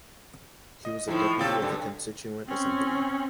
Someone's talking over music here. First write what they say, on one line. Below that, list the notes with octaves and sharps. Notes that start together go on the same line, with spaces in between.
He was a deputy of the Constituent Assembly.
D#5
A2 F3 D#4 E4 A4
C3 A4 C#5 F5 G5
G2 D3 A4
C4 C#4